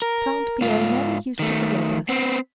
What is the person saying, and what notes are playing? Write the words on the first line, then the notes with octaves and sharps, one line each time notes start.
Count Pierre never used to forget us.
A#4
G#2 F4
D#3 A3
B3 C4